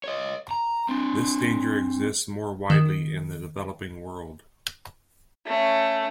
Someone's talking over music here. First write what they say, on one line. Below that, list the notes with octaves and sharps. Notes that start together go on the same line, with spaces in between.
This danger exists more widely in the developing world.
C#5 D#5
A#5
C4 D4
D#3
A3 C#4